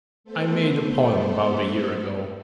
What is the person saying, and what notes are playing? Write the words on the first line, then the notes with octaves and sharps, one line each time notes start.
I made a poem about a year ago.
A3 B3 A4 C5